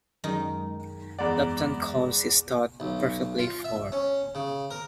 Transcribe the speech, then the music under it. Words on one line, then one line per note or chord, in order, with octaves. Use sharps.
Lupton calls this thought "perfectly formed".
F#2 D#3 G#3 D#4
E2 D5 F#5 A#5
B1
F4
E5
C#4
C#3
A#4